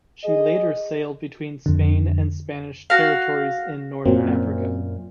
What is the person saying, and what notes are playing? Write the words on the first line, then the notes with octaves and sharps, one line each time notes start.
She later sailed between Spain and Spanish territories in North Africa.
G#4 D#5
F2 D3
F#4 F5
F#2 A#2 F#3 A#3 C4